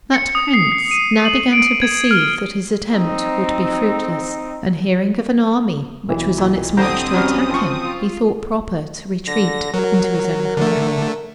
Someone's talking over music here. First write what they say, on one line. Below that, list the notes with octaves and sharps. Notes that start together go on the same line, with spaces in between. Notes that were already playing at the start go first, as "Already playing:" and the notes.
That prince now began to perceive that his attempt would be fruitless; and hearing of an army which was on its march to attack him, he thought proper to retreat into his own country.
C#7
D#6
C7
C7
D#7
F#7
D7
G#6
F6
C4 D#4
B1 E3
A#2
D3 C4 G4 A#5 D#6
F#3 G3 C#4 F6
F3 C#6
F4
D3 A#6
F#3 A#4
D3 A3